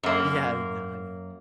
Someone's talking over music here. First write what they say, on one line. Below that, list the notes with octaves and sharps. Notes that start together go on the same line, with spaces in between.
Yeah, no, yeah.
F#2 A#3